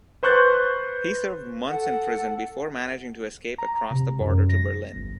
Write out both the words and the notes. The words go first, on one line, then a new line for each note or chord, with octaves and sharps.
He served months in prison before managing to escape across the border to Berlin.
B4 C5 C#6 F#6 G6 A6
A4 F#5
A#5
C3
F#2
A#6
G1